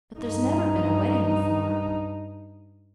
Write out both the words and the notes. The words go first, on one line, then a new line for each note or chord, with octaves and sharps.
But there's never been a wedding before.
G2 D#4